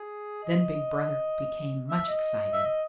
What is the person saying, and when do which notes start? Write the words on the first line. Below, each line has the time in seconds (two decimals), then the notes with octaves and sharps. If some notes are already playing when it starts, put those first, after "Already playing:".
Then Big Brother became much excited.
Already playing: G#4
0.43 D#5
1.89 E5
2.08 D#5
2.53 E5
2.63 D#5